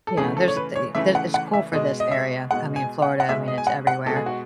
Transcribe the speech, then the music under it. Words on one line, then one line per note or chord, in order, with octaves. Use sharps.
you know, there's the the It's cool for this area. I mean, Florida, I mean, it's everywhere.
A4
C#3 E3 A3 G#4
A4
C#5
B4
C#5
C#3 E3 A3 E5
F#5
F#5
E5
B2 G#3 D#5
D#5
E5
B2 G#3 F#5
G#5
F#5
F#5
B2 G#3 E5
D#5
G#5
F#5
F#5
B2 G#3 A4
G#4
F#4